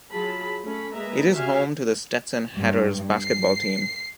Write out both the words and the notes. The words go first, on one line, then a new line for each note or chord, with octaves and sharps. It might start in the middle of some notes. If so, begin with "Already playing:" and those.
It is home to the Stetson Hatters basketball team.
F#3 F4 G#4 A5 B5
A3 C#4 A4 B5
G#3 A#3 B4 E5 A#5
F#4 G4 E5 F5 G#5
G2
C7